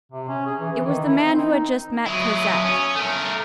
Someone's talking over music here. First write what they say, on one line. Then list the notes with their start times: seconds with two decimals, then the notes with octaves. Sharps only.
It was the man who had just met Cosette.
0.12 C3
0.29 C#4
0.46 G#4
0.60 E3
0.72 E3
0.86 D#3
1.05 E4
1.22 C4
1.38 D#4
2.06 F#3 B3 E4 D#6
2.64 C#4
2.95 A3 A#4